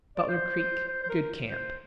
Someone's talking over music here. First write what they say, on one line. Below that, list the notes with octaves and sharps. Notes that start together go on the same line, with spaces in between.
Butler Creek.--Good camp.
D5
C5
C5
C5
C5
A#4
C5